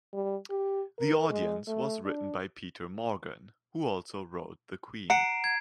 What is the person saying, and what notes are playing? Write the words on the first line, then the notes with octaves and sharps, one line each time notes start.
"The Audience" was written by Peter Morgan, who also wrote "The Queen".
G3
G4
A#4
G#3
A3
D4
F#5 A#5 C7 D7
G#6